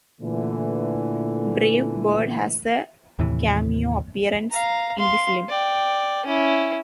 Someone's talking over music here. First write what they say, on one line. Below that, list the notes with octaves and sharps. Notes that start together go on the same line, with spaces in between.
Brave Bird has a cameo appearance in the film.
A#2 D3 E3 A3
D#2 A2 C3 E3
F5 A#5
F5 C6
D5 G5
C#4 E4